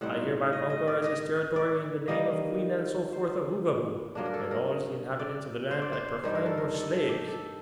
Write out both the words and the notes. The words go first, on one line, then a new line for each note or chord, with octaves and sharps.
"I hereby conquer this territory in the name of Queen Ann Soforth of Oogaboo, and all the inhabitants of the land I proclaim her slaves!"
A2 G3 C4 D#4 F#5
D#5
D#5
D5
D#5
D5
D#3 G3 A#3 D#5
C5
G2 F#3 A#3 D4
A#4
A4
A#4
D5
C5
D5
C5
G2 D#3 G3 C5
A#4
A4
A#4
A4
A4
G4
A4